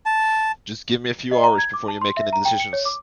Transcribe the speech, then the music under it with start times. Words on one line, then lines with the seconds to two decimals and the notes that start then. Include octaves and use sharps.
Just give me a few hours before you make any decisions.
0.06 A5
1.31 D#5
1.43 A#5
1.58 G#6
1.74 D6
1.88 A5
2.01 C6
2.17 E5
2.33 A#5
2.45 G5
2.60 C#7
2.73 C#5
2.85 D6